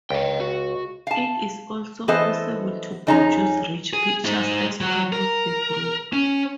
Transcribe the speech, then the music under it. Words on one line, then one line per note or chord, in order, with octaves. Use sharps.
It is also possible to produce rich pictures as part of a group.
C#2 D#5 G5
F#4
F5 A5
E3 B3 A4 C5 D#5
F2 C#4 D#4 G#4 A5 A#5
G#4
G#3 D#4
F#3 F#4
A#4
C#4